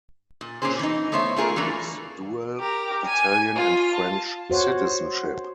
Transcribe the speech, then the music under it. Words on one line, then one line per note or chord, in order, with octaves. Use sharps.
She holds dual Italian and French citizenship.
A#2
A#2 A#3 C4 C#4 G#4 C5
E3 D#4
A3 B3 C5 C#5 E5
A3 F4 G#4 A#4
E3 F#3 A3 A#3 D4 A#5
G4 A#4
G#5
F4
A5
F#4 C5 C#5 F#5